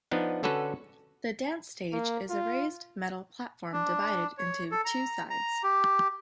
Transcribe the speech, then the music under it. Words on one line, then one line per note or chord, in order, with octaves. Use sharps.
The dance stage is a raised metal platform divided into two sides.
F3 B3 D4 D#4
D3 C#4 F#4 A4 B4
A#3
F4
D4
C#5
A4
A#5
A#5
G4